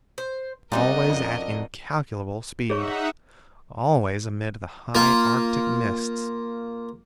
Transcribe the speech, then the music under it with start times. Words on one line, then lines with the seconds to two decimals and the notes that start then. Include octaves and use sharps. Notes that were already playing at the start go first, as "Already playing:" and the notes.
Always at incalculable speed! Always amid the High Arctic mists!
0.18 C5
0.72 G3 C4 D4 D#4 F#4 A#4 D#5
1.07 F2 C#4
2.70 D#4 G#4 C#5 E5 F#5 C#6
4.95 A#3 F4